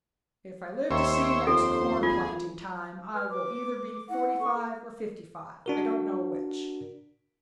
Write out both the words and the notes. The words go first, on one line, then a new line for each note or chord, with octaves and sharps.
"If I live to see next corn-planting time I will either be forty-five or fifty-five, I don't know which."
D#2 C5 C#5 E5
F2 A4 C5
F4 G#4
B4 F6
B4 D6
E4 F#5
A4 C#6
D4 F#4 A#4